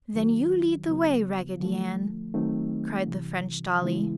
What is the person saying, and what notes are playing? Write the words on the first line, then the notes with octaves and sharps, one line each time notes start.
"Then you lead the way, Raggedy Ann!" cried the French dolly.
D#2 D#3 F#3
D#2 C#3 F#3 B3
D3 F3 A3
D#3 F#3 A3 C4 D#4
C3 E3 G3
C#3 E3 G#3 B3 E4